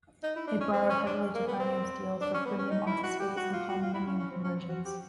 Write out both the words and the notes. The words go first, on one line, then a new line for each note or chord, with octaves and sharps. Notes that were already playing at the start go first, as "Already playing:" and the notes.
It borrowed heavily to finance deals for premium office space and condominium conversions.
D#4
E4
D4
C#4
C4
C#4
D4
A#3
B3
C4
D4
C#4
B3
C#4
D#4
E4
F#4
G4
F#4
F4
F#4
F4
E4
C#4
C#4
C4
C#4
C4
F#4
G4